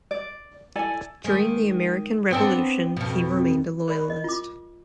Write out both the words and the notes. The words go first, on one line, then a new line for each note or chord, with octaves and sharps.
During the American Revolution he remained a Loyalist.
D5
E4 A4 D5 G#5
D#3 G#3
B3 C4 D4
F2 B2
A#4 D5 B5
D#5
F4 D6